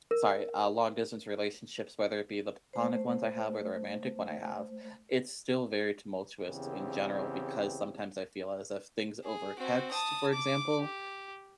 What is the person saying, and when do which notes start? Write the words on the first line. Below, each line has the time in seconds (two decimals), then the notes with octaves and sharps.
sorry, uh, long-distance relationships, whether it be the platonic ones I have or the romantic one I have, it's still very tumultuous in general because sometimes I feel as if things over text, for example,
0.11 A#4
2.73 A3 C5
6.47 E2 C#3 C4 G4
9.24 G#4
9.58 C4 F#4
9.91 A5 D#6
10.32 D6
10.79 G4